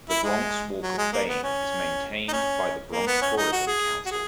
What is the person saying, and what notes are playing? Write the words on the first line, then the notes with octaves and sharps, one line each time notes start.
The Bronx Walk of Fame is maintained by the Bronx Tourism Council.
E4
G#3
F#3
G#3
A#3
B3
C#4
D#4
C#4
A#3
B3
C#4
D#4
F#4
G#4
F#4
G#4